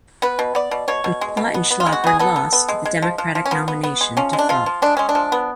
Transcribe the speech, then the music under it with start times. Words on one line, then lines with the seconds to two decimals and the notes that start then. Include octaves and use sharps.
Lautenschlager lost the Democratic nomination to Falk.
0.22 B3 B4
0.39 B2
0.55 B3 D5
0.71 B2
0.88 B2 C#5
1.04 B2
1.21 G#3
1.37 B2
1.54 B3
1.71 B3
1.80 F4
1.86 G#3
1.92 F#4
2.04 B3 G#4
2.19 B3 A4
2.36 B3
2.53 B3
2.68 G#3
2.85 G#3
3.02 F3
3.18 F3
3.35 F3
3.45 C#4
3.51 F3 B3
3.68 B3
3.84 B3
4.01 G#3
4.17 F3 C#4
4.33 G#3
4.39 D4
4.49 F3 F4
4.66 F3
4.82 G#3 D4
4.97 G#3 C#4
5.09 D4
5.15 F3
5.32 B3